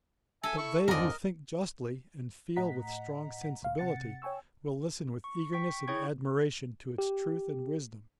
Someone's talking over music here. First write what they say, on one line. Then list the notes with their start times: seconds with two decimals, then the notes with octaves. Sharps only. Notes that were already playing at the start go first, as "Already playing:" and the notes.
But they who think justly, and feel with strong sensibility, will listen with eagerness and admiration to its truth and wisdom.
0.43 A4 E5 G#5
0.58 E4 C#6
0.88 F2 G#2 D3 F3 C4 A#4 D5 D#5
2.56 A2 D#5 F#5 A#5 B6
3.62 D2 F5
3.78 C3 F#5 A6 C#7
4.22 C#5 G5 G#5 C#6 E6
5.24 C#6
5.53 G5 C#6 B6
5.88 E4 G#4 C#5 G5 C#6 G#6
6.98 G4